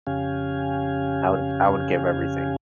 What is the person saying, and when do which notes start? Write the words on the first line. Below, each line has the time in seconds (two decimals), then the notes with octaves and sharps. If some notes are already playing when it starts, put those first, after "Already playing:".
I would I would give everything.
0.07 F2 C#3 C#4 G4 F5 G#5